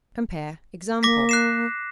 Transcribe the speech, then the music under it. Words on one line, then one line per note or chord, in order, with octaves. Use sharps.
Compare EXAMPLE.
A#3 D6 A#6 B6
F#6 C7 E7